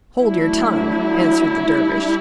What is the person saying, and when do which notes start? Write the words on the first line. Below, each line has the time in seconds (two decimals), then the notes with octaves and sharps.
"Hold your tongue," answered the Dervish.
0.21 F#3 A3 D4 E4
1.71 G3 D4